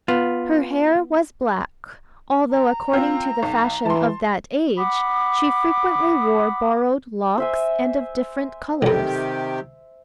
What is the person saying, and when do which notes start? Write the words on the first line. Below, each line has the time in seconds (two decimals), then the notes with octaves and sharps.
Her hair was black, although, according to the fashion of that age, she frequently wore borrowed locks, and of different colours.
0.08 B3 F4
2.51 A#5
2.93 C4 F4
3.43 B1
3.85 E3 A5 C6
4.78 F#5 B5 D6 D#6
7.38 C5 E5 G#5
8.82 B1 F2 C3 D#3 G4